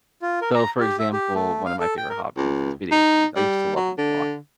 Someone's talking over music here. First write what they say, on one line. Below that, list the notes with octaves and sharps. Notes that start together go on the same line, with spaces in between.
So for example, one of my favorite hobbies is video games, I used to love them a lot.
F4
A#4
A#5
G4
E5
G4
A3
F5
A4
G5
A#4
C#2
D#4
G3
F#3
D3